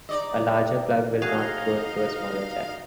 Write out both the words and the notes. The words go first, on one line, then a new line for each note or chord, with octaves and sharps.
A larger plug will not go into a smaller jack.
D#4 D5 D#5
D#4 F#4 G#4 D#5 F5